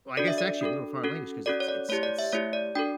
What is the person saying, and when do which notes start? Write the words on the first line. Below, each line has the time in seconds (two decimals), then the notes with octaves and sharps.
well, I guess actually a literal foreign language 'cause it's it's it's
0.17 D4 F#4 A4 D5
0.28 E5
0.38 D5
0.61 D4 F#4 A4
1.04 C#4 F#4 A4
1.46 C#4 F#4 A4 D5
1.60 C#5
1.68 D5
1.89 A3 E4 G4 C#5
2.03 D5
2.19 E5
2.32 A3 E4 G4 C#5
2.53 D5
2.75 D4 F#4 A4 G5